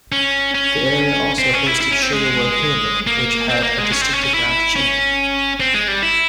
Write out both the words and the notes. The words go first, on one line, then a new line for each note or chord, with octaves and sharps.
The area also hosted Sugarwell Hill Mill which had a distinctive round chimney.
C#4
C#4
C4
C#4
E4
E4
C#4
C4
G#3
A#3
C4
A#3
G#3
C#4
C4
C#4
C#4
E4
C#4
C4
G#3
G3
E4